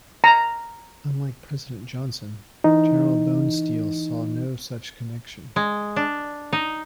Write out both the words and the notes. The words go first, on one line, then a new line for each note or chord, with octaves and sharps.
Unlike President Johnson, General Bonesteel saw no such connection.
A#5
E3 D#4
G#3
D4
D#4